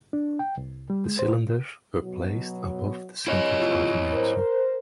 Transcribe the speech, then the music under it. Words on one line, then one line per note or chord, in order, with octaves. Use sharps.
The cylinders were placed above the center driving axle.
D4
G5
C2
G3
G#3
C5
B2 F#3
E4 C#5 D#5
F#1 C#3 F4
A#4 C5